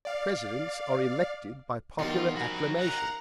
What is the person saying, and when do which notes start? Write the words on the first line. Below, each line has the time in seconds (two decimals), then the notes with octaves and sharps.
Presidents are elected by popular acclamation.
0.05 D5 F5
1.99 E2 D#3 G3 F4
2.36 F3 F#4 A#4 B5
2.79 F5 F#5 A#5